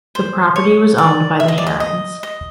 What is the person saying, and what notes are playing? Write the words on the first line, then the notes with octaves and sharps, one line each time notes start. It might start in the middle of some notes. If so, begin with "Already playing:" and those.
The property was owned by the Herons.
C5
C#5
D5
E5
D#5
D5
D#5
D#5
D#5